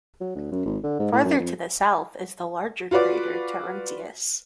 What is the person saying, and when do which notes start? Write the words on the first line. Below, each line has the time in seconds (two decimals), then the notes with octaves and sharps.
Farther to the south is the larger crater Taruntius.
0.21 F#3
0.35 D2
0.51 F#2
0.66 G#1
0.83 D3
0.99 G#2
1.12 A2
1.25 F#2
1.39 F2
2.91 F4 F#4 B4 D5